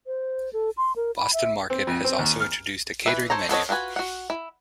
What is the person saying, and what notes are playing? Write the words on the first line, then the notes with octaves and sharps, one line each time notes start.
Boston Market has also introduced a catering menu.
C5
A4
C6
A#4
B5
E5
C4
F2
C4
D#2
F6
E3 B4 E5
A4 C5 C#5 A#5
B3 A4 C#5 D#5
D4 F4 F#4 B4 G#5
F#4 F#5
E4